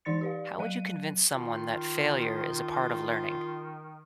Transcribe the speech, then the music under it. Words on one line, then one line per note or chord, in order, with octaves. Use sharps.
How would you convince someone that failure is a part of learning?
E3 D#4 D5 C6 A6 C#7
G4 D5 F5
F#3 D#5 F5 F#6 D#7
D#3 F4